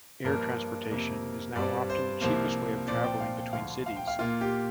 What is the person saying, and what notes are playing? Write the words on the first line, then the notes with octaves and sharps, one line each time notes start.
Air transportation is now often the cheapest way of travelling between cities.
G2 F3 A#3 A#4
F2 C3 A#3
G2 G3 C4 D5
C5
C2 C3 F3 A#3 C5
A#2 F3 C4 D5
G5
F5
G5
D2 D3 F3 F5
F5
G5
F5
A#2 A#3 F4
G4